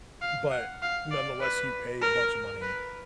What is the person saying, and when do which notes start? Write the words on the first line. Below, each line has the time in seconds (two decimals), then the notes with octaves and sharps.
But nonetheless, you pay a bunch of money
0.21 F5
0.51 F#5
0.82 F5
1.11 D5
1.41 B4
2.01 A#4
2.61 B4